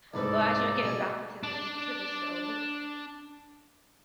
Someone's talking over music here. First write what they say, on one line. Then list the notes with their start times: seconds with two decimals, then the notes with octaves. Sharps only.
I'm glad you're getting back into the sh to the shows.
0.14 C2 G#2 D#4 A4 B4 D5
0.82 B2 G3 G#4
1.43 D4 D5